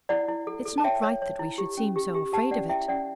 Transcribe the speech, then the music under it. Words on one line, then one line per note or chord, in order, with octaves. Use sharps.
It's not right that we should seem so afraid of it.
E4 D5 F#5
E4
A4
A4
A5
C#5 E5 G5
C#5
C#5
E4
G4
C#4
G4
G4
G4 F#5 A5
C#4 D5 F#5
E4 E5 G5
C#4 D5 F#5